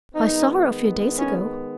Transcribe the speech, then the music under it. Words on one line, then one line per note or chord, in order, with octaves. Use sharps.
"I saw her a few days ago."
D#3 G#3 B3 D#4
C#4